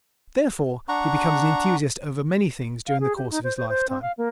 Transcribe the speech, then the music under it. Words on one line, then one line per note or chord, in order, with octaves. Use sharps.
Therefore he becomes an enthusiast over many things during the course of his lifetime.
D4 F#5 A#5 C#6
F5
G#4
G4
D#4
C5
C5
C5
C4
F5
A#3